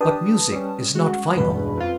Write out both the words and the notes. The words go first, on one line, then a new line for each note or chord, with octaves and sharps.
But music is not final.
D4 G4 B4 A5 D#6
G3 C#4
G#3 F#4
E2 G2 B2 G#3 B4 B5
F2 F4